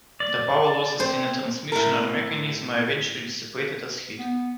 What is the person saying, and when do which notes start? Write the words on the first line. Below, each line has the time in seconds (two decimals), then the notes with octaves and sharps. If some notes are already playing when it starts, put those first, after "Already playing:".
The power losses in a transmission or mechanism are eventually dissipated as heat.
0.20 D5
1.00 C4 C5
1.72 A2 A#4
4.19 B3